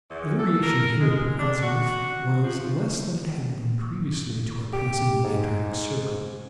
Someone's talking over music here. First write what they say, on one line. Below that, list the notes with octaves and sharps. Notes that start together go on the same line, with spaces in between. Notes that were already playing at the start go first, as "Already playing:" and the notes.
The variation here, per azimuth, was less than it had been previously to our passing the Antarctic circle.
E2
A4
A#4
G#3
D4
F#4
F3
G4
G#2